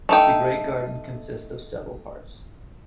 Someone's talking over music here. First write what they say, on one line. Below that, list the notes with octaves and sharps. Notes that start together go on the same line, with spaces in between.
The Great Garden consists of several parts.
A3 D#4 G5